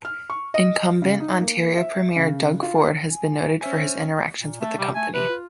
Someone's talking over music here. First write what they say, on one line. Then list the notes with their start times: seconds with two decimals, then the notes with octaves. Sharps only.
Incumbent Ontario premier Doug Ford has been noted for his interactions with the company.
0.05 F6
0.30 C#6
0.54 D#5
1.02 C#3
1.20 D#4
1.41 A#3
1.77 E5
2.16 C#3
2.63 F4
3.10 G#5
3.61 C#4 C5 E5 G#5
4.39 A#2
4.61 A3
4.79 C3 G3
4.95 A3 G#5
5.14 C3 B4
5.29 F4